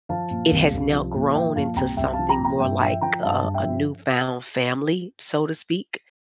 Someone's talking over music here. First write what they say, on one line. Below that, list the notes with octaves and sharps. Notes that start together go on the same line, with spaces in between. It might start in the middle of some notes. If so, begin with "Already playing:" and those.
it has now grown into something more like a a newfound family, so to speak.
F3 F5 A5
A#2
C2
C2
F3
A#2
F3 E5 G5
A#2 F5 A5
C2 G5 A#5
C2 E5 G5
F5 A5
F3
G5 A#5
A#2
G5 A#5
G2 E5 G5
F3 E5 G5
F3 G5 A#5
G2 F5 A5
G2
E5 G5
F3